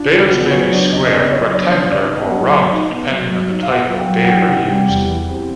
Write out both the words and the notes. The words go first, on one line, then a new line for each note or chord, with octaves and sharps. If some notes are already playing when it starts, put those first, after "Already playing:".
Bales may be square, rectangular, or round, depending on the type of baler used.
Already playing: D4 F4
C#3 F4
F#4
B3
G#4
C#5
F#3
C5
D4 D5
C#3 D#5
D#5
B3 D5
F#3 C#5
D4 D5
C#3 C#5
D#4 D5
B3 D#5
F#3 F#5
F#3
D#4
B3
F#3
F#3
D#4
F5
B3 F#5
F#3
G5
F#3
F#5
E3 G5
C3 F#5
G3 G5
E2
E3
C3